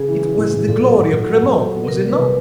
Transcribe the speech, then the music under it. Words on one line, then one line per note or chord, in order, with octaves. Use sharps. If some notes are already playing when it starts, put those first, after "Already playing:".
It was the glory of Cremona, was it not?
Already playing: C#3 G#4
E3
E3
A2
A2
A#2 A4
F#3
A#2
A#2
F#3
A#2
F#3
B3
C3 A#4
G3
B4
C3